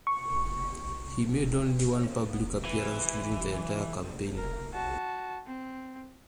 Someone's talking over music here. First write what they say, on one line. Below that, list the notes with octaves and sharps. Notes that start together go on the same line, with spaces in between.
He made only one public appearance during the entire campaign.
C#6
E3
A#4
F#4 A5
C4